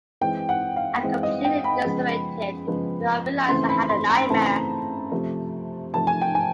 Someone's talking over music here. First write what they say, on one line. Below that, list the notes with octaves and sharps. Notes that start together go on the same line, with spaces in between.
I'm completely disoriented before I realize I've had a nightmare.
E3 G#3 C4 G5
F#5
F5
E3 G#3 C4
D#5
G5
B5
C#3 F3 G#3 B3
C#3 F3 G#3 B3
C#3 E3 A3 C4 C6
B5
C6
A#5
C#3 E3 A3 C4 A5
C3 F3 A3
C3 F3 A3 A5
G#5
G5
G#5